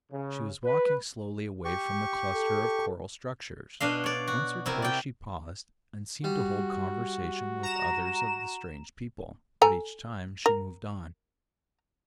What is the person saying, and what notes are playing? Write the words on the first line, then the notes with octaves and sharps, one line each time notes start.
She was walking slowly away from the cluster of coral structures. Once or twice she paused, and seemed to hold conversation with others of the strange people, but each time she moved on.
C#3
B4
G4 C#6
A4
B2 D4 D#5 F5
C#5 D5
F#4
C3 E4 A#4
D5 G5
G3 F#4
A#5 E7
A4 G#5 A#5
A#4